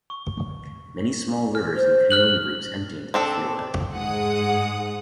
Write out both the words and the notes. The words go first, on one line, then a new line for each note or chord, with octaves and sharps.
Many small rivers and canoeing routes empty into the fjord.
C#6
F6
C5
F6 F#6 F#7
C4 D4 A4
G#2 G#3 F#5 D#6